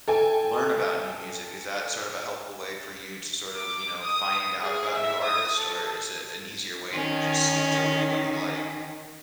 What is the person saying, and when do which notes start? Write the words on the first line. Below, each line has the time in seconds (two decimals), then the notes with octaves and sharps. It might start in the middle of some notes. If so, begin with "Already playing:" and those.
learn about new music, is that sort of a helpful way for you to sort of, you know, find out about new artists, or is it an easier way to just stick to what you like?
0.08 A4 G5 G#5
3.56 D6
4.03 D#6
4.63 G#4
4.95 E5
5.24 D#6
5.57 A4
6.93 D#3 C#4